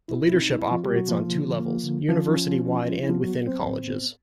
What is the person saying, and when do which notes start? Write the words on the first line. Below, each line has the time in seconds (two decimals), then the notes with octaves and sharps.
The leadership operates on two levels - university wide and within colleges.
0.08 B2 E4
0.26 E4
0.34 C4
0.42 D#4
0.59 C4 E4
0.71 F3 F4
0.84 B2 G3 G4
0.96 F#3 F#4
1.09 F3 A#3 F4
1.34 D3
1.59 A#3
1.84 D3
2.09 F3 C#4 F4
2.34 C#4
2.59 C#4
2.85 F3
3.03 E4
3.09 F3 B3 F4
3.21 F#3 F#4
3.34 F#3
3.47 C4 C5
3.59 A2
3.85 B3